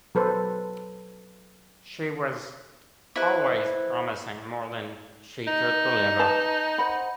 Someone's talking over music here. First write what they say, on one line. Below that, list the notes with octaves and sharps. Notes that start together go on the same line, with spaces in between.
She was always promising more than she could deliver.
F#3 A4 B4 C5
E4 B4 C5
D#4
B4 A5
C5 F#5 B5